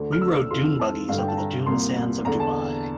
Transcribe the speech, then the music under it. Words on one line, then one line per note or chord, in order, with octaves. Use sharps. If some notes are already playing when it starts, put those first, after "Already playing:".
We rode dune buggies over the dune sands of Dubai.
Already playing: D2 D3
F6
E6
F2 E3 C6
A5
G2 D3 F5
G5
A5
A#5
C2 A#2 C6
E2 D3 A#5
A5